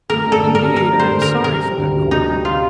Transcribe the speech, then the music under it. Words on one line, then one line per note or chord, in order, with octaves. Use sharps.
Indeed, I am sorry for that quarter.'
A3 A#4
D4 A4
D3
A#4
G4
A3 A#4
D4
C5
D3
A#4
G4
C3 A#4
G3
D2
D2
C3 D#4
G3
F4